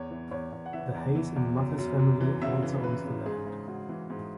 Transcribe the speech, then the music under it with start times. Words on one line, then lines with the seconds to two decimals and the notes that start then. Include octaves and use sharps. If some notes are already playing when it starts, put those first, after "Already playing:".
The Hayes and Mathis family also owns the land.
Already playing: E2 C#5
0.11 E3
0.31 E2 C#5
0.52 E2
0.66 F#5
0.73 E3 E5
0.95 E2
1.15 E3
1.36 E2
1.57 F#2
1.79 F#2
1.99 F#2
2.21 E3
2.42 C#3 E5
2.63 E3
2.84 E3 B4
3.05 C#3
3.26 G#2 G#4
3.47 G#2
3.67 G#2 F#4
3.89 E3
4.10 G#2